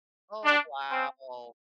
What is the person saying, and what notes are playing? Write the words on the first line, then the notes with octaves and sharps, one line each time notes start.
Oh wow! Oh,
D4
C4